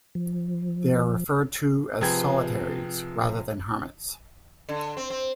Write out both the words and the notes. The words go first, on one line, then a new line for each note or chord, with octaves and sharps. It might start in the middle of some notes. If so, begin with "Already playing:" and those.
They are referred to as "solitaries" rather than "hermits".
F3
C3 F3 G#4 B4 G5 G#6
D3
C4
C4